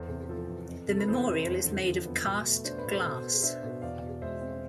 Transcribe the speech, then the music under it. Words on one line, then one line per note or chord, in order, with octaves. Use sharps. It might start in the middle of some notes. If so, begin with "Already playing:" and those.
The memorial is made of cast glass.
Already playing: E2 A4 C5
C3
F3 A4
E2
F2
C3 A4
B4
E3 A4 C5
F2
E2
D3
F3
B3
B2
A3
D4 C5
B4
B2
A4 C5
B2
B3
D4 C5 E5
B2
E2 D5 F5
B2
G#3 C5 E5
C4